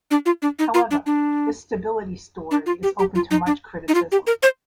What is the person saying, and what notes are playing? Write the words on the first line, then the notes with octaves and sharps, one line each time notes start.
However, this stability story is open to much criticism.
D4
F4
D4
D#4
F4
D4
D4
D4
F4
G4
G4
F4
D#4
D4
D#4
F4
G4
A#4
C5